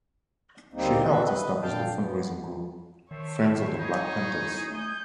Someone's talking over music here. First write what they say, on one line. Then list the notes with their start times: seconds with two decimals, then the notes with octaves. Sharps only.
She helped establish the fundraising group "Friends of the Black Panthers".
0.73 D2 G3 A#3 C4 D#4
1.08 D4 F#4 B4 E5
1.25 B4 D#5
1.62 A#2 D3 F5 G5 A5
1.97 B3
3.11 D#3 A3 C5 C#5 E5
3.80 D#4 E4 G#4 G#5
4.72 A3 G#5 D#6 G6